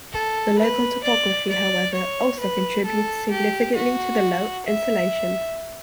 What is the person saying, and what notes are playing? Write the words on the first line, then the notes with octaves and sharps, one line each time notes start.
The local topography, however, also contributes significantly to the low insolation.
A4
B4
D5
D5
C#5
B4
A4
G4
F#4
E5